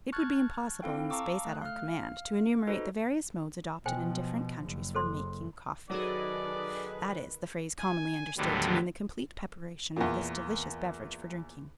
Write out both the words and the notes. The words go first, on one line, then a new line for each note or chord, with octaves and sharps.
It would be impossible, in the space at our command, to enumerate the various modes adopted in different countries for "making coffee;" that is, the phrase commonly understood to mean the complete preparation of this delicious beverage for drinking.
A5 C#6 F6 F#6 G#6 A6
C4 E4 A4 F5 G5
F5 A5 A#5 C#6 D6 E6
A3 F#6
F5 F6
D#4 F#4 A4 B4 C5 D#5
B2 F3 C5 G5 G#5
F#1
A4 C5 C6
D#3 F#3 G#4 A4 B4 D5 D#5
G#5
D#2 A2 D3 F#3 G3 B3
E2 A#2